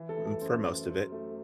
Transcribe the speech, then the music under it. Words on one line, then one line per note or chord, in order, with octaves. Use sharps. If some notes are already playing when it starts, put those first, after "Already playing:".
mm, for most of it,
Already playing: E3
A4
A3
A4
F#2 C5
F#2
F#3 C5
A3